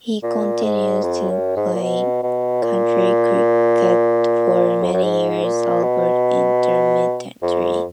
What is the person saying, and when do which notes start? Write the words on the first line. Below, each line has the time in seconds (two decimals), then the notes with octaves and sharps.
He continued to play county cricket for many years albeit intermittently.
0.23 A#2
0.63 G#2
1.04 F2
1.30 F#2
1.56 G#2
1.75 A#2
1.83 B2
2.23 B2
2.63 A#2
4.83 F2
4.94 F#2
5.03 G#2
5.43 A#2
5.83 B2
7.42 F2